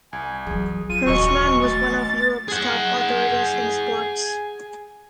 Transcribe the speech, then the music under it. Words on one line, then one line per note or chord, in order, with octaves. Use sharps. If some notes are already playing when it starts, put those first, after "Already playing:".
Herschmann was one of Europe's top authorities in sports.
C2 G#5
E3 F#3 G#4
F3 F4 D#7
D#1 A1 F#2 F#4 D#5 C#6
A3 A6
G#4 F#5